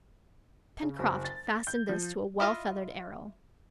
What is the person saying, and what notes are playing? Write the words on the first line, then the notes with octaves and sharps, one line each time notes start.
Pencroft fastened this to a well-feathered arrow.
C#3
F#1
A6
G6
F3
E4 F4 D#5 F5